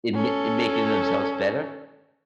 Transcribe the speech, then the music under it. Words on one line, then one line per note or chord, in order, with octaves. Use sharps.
in ma in making themselves better?
C#4 A4